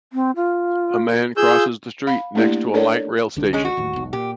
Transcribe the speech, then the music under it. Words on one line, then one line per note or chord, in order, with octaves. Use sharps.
A man crosses the street next to a light rail station.
C4
F4
F4 G#4 E6 G6
F5 B5
A3 A#3 D4 E4 G4 D5
D4 A4 A#4 C#5 D5
C2 D3 D4
G#3 C#4
F#4
D1 D#2 A2
E1 B1
A#2 G4